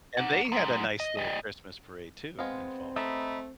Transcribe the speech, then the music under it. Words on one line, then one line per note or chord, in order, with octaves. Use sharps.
And they had a nice little Christmas parade, too, in Fall
A#3 F#5
F#3 G#3
D#5
G3 D#5
G#3 B3 C4 F5
A3 D#5 A#5 B5